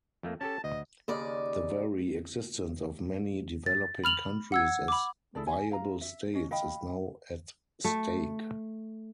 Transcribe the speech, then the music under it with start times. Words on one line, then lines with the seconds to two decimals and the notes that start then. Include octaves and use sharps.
The very existence of many developing countries as viable States is now at stake.
0.23 F2 A3 A#3
0.41 C#4 G4 A4 A5
0.64 D2 D#5
1.08 D#2 C#3 D5 D#5
3.66 A6
4.04 B5 F6 F7 F#7
4.52 F#5 E6 G#6
4.88 B5 D6
5.35 E4 G#4 A4 D5
5.47 G#5
5.72 F5 A#5
6.01 E5
6.34 C#4 D#5
6.51 D#5 F5 G5 B5
7.84 A3